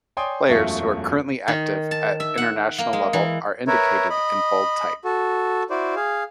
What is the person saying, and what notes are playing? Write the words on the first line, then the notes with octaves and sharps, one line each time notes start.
Players who are currently active at international level are indicated in bold type.
C#5 D5 G5 G#5 C6 D#6
E1 F#2 A3 F4 C#6 C#7
D#3
A5
E5
F#5
A#3
G#3
E3
A#4 B4 C#5 E5
D#5 B5
F#4 A4
E4 F#4 C5 D5
G#4 F5